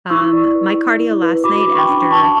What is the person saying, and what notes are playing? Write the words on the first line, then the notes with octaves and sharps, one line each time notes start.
Um, my cardio last night after
E4 C#6 E6
D5
B4
E4
E4
B4
F#4 B5 D6
D4
C#6
G5 B5
D4
D4 A5 C#6